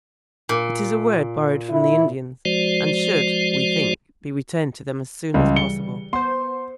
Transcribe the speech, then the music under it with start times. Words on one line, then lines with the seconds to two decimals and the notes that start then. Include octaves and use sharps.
It is a word borrowed from the Indians, and should, we think, be returned to them as soon as possible.
0.49 A#2
1.69 E4
2.45 F3 G#3 F#4 C5 D5
5.34 C#2 C#3 E3 G3
5.56 C#7 G7
6.13 B3 C5 C6